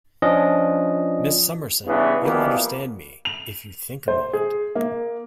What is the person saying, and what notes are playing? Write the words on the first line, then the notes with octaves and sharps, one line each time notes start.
Miss Summerson, you'll understand me, if you think a moment.
F3 C#4 D4 F4 D#5
G2 C#3 E3 B3
B2 E3 F3 G3 A#3 B3
F7
C5
G#4
A#3